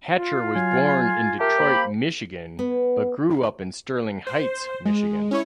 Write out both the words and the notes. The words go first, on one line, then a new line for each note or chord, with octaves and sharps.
Hatcher was born in Detroit, Michigan, but grew up in Sterling Heights, Michigan.
F4
F#3 G#5
A6
G4 A#4 E5 A5
A#3 C5 B5
B3
C5
G#3
C#4 E4 C#5